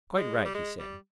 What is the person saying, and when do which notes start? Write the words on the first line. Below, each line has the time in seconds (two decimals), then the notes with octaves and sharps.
Quite right, he said.
0.17 G#3
0.45 G3
0.55 G#3
0.79 G3